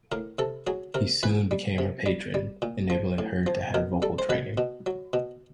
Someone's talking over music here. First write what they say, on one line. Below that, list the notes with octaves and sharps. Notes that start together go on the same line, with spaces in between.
He soon became her patron, enabling her to have vocal training.
A2 A#4
C3 A4
F#3 G#4
C3 A#4
E3 B4
G3
C3
G3
G3
A#2
F3
A2
F3
B2 A#4
G3 A4
C5
B2 B4
B2
F#3
B2